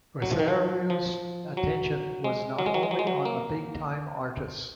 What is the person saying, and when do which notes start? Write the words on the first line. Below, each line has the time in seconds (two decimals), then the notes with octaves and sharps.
Guercio's attention was not only on the big-time artists.
0.22 F#3
0.31 F3
0.39 D#3
0.48 F3
0.90 F3
1.57 F#3
2.24 G#3
2.59 F#3
2.66 G#3
2.74 F#3
2.83 G#3
2.91 F#3
2.99 G#3
3.07 F#3
3.25 A#3